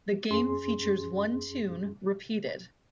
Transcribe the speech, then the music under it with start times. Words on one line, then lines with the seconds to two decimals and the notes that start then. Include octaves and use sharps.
The game features one tune repeated.
0.31 F#2 C#4 G#4 C6